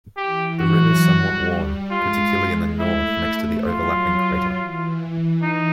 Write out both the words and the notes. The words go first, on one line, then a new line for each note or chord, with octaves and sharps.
The rim is somewhat worn, particularly in the north next to the overlapping crater.
E3 G4
F#3 F#4
G3
G#3 F4
A3 E4
F#3 F4
E3
D#4